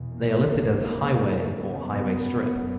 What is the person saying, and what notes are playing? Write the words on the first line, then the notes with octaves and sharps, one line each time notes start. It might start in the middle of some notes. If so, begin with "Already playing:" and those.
They are listed as "Highway" or "Highway Strip".
Already playing: E2 B2
A#3
D#2 C#3
F#2 C#3 B3
F#2